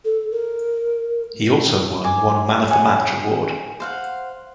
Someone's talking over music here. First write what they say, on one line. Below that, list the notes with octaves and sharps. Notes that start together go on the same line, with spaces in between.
He also won one man of the match award.
A4
A#4
G#5 D6
F#5 G#5 D#6
C5 F5 F#5